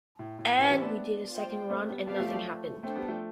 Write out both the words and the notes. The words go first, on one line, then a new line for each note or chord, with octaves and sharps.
And we did a second run and nothing happened.
A2
A2
A2 C4 G4 B4 E5 A5
E3 G3
B3 D4
F4 C5 G5
A3 C4
G3 B3
G3 B3 C4 G4 D5 F5 A5
F3 A3
F3 A3
A3 C4 D4 A4 C5 G5
G3 B3
F3 A3